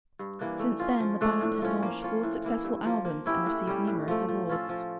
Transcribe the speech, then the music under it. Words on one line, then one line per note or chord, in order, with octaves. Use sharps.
Since then, the band had launched four successful albums, and received numerous awards.
G2
E3 A#3 D4
A3
C#4 F4
F3
A3 D4
A2
F3 C#4
A#3
C#4 F4 C#5
A2
E3 A#3 E4
G2
F3 A#3
A#3
C#4 E4 G4
A2
G3 C#4 G4
A2
F3 A3
F3
C#4 F4 A4
F3